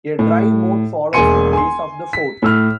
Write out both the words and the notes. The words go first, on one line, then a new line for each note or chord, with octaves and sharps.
A dry moat follows the trace of the fort.
A2
E1 A#3 G#5 C6 C#7 D#7
G#5 C6
B6
A2 E6 F6